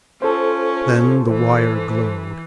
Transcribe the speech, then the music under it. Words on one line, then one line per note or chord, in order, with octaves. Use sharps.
Then the wire glowed.
C#4 F4 A4 C5
E3